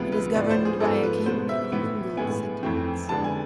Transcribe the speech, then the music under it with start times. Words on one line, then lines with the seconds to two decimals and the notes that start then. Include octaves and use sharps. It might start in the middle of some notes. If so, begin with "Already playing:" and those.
It is governed by a king of mingled sentiments.
Already playing: D2 C3 F3 G#3 B3 B4
0.12 B4
0.35 A2 F3 B3 D5
0.50 C5
0.65 G#4
0.80 G#2 F3 B3 A4
1.03 B4
1.26 B2 G#3 B3 C5
1.49 E5
1.72 A2 E3 B3
2.17 A2 G#3 B3 G#5
2.63 F2 E3 A3 C4
3.09 E2 D3 G#3 B3 A5
3.24 G#5